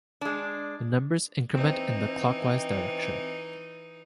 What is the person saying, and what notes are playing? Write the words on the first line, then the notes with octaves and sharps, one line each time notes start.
The numbers increment in the clockwise direction.
G#3 D4
E3 C4 D#4